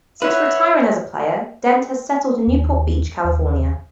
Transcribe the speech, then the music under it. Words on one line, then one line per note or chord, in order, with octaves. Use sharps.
Since retiring as a player, Dent has settled in Newport Beach, California.
B4 C#5 E5 F#5
D#2
D#2